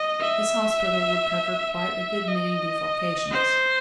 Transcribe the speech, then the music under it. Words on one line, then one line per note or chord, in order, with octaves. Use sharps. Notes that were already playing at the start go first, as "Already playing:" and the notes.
His hospital would cover quite a good many defalcations.
Already playing: D#5
E5
E5
D#5
C5